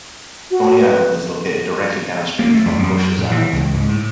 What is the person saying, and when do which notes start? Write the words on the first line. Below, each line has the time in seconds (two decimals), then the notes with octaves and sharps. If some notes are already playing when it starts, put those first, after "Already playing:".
Coney Island is located directly downstream from Bushes Island.
0.51 F#4
0.80 B4
2.39 A#3
2.54 A3
2.66 F2
2.79 F#2
3.18 A#2
3.31 E3
3.53 C#2
3.74 G#2
3.89 A2